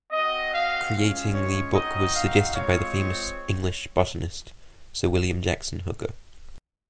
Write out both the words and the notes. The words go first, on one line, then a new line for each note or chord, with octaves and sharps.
Creating the book was suggested by the famous English botanist Sir William Jackson Hooker.
C4 F#4 D#5
F5
G#3 C#4 F4
C#5
C4 D#4 F#4 D#5
F5
G#3 C4 F4 C#5